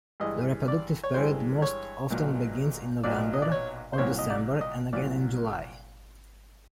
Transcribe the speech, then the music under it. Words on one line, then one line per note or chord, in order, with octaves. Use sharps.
The reproductive period most often begins in November or December, and again in July.
G2 E3 G#3 D#5
D5
C#5
G2 E3 G#3 C5
C#5
B1 A#2 F#3
B1 A#2 F#3 D5
D#5
D5
C#5
C5
C2 A#2 F#3 C#5
D#5
D5
D#5
C2 A#2 F#3 D5